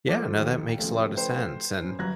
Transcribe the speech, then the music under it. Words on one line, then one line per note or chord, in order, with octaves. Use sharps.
Yeah. No, that makes a lot of sense. And,
F3 A4 D6
D#2
C#3 F3 A3
B4 C5 G5
F#2
G1 F#2 F#6 G#6 A#6